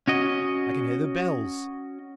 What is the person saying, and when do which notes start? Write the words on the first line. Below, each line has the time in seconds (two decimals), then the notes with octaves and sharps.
I can hear the bells!...
0.08 C#4 F#4 D#5